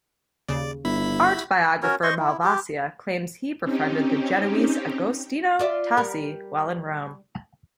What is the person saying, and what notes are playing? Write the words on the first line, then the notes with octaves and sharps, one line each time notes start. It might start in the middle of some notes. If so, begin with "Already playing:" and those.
Art biographer Malvasia claims he befriended the Genoese Agostino Tassi while in Rome.
D#2 C#3 D5
G1 E4 B5
C#4 F#4 A#4 C#5
C5 D#5 C6 C#6
E4
G4
C4 C#4 D#4 G4
F4 D5 E5
G3 A#4